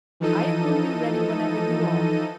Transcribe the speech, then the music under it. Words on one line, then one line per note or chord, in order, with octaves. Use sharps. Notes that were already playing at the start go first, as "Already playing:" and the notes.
I am only ready whenever you are.
E3 F3 D#4 A4 D#5 D#7